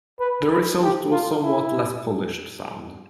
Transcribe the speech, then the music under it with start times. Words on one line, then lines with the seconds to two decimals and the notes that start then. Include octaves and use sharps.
The result was a somewhat less polished sound.
0.20 B4
0.51 B4
0.82 G4
1.12 F4
1.43 E4